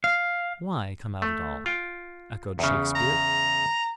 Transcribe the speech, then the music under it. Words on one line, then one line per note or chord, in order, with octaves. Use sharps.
"Why come out at all?" echoed Shakespeare.
F5
A3
F4 G5
E2 C#3
A#5